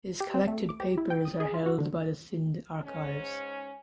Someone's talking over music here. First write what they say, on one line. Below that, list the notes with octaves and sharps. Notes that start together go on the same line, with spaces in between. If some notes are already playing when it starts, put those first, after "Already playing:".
His collected papers are held by the Sindh Archives.
G4
C4
A3
D6
G4
E4
G5
D#6
G#4
F4
F#4
D3
G#2 C#4